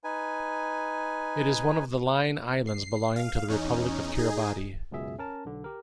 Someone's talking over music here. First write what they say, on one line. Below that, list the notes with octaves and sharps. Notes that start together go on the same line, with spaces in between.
It is one of the Line Islands belonging to the Republic of Kiribati.
D#4 B4 G#5
C7
F5
E2 C#4 D#4
D#4 G#4
C#2 F#2 B2 G#4 E5
C#4 A#4 A5
B1 D3
G4 A#4